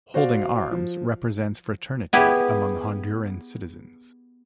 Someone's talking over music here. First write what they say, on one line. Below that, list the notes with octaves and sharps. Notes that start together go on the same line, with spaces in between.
Holding arms represent fraternity among Honduran citizens.
F#4 C5 D5 F5
F3
B3 E4 G4 G#4